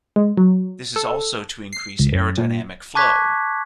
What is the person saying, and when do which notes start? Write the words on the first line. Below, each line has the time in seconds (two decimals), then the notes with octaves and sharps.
This is also to increase aerodynamic flow.
0.16 G#3
0.38 F#3
0.96 A4
1.73 C7
1.99 C#2
2.12 F#2
2.38 A#2
2.95 A5 C#6 D6 F#6 G#6 B6